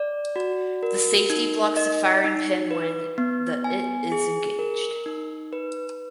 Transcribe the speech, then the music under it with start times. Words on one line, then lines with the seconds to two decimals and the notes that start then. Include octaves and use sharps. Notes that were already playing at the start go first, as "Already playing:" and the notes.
The safety blocks the firing pin when the it is engaged.
Already playing: D5
0.36 F#4
0.83 A#4
1.30 D#4
1.77 D#5
2.24 D#4
2.71 B4
3.18 B3
3.64 G#5
4.12 G#4
4.59 A#4
5.06 D#4
5.53 B4